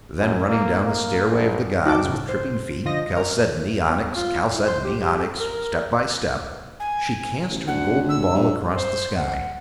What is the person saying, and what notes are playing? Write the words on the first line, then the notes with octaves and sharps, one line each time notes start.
Then running down the stairway of the gods with tripping feet, chalcedony, onyx, chalcedony, onyx, step by step, she cast her golden ball across the sky.
F#2
A#3
A#3
A#1
D#4 F#4 G5 A5 D6
A2 C#3
C5
D3 F3 D#5 A#6
A#4
A3
B3
F4
E4
C5
G4
G4
A#4
G#5
A1
D2 F#5
E6
G2
C5
F#5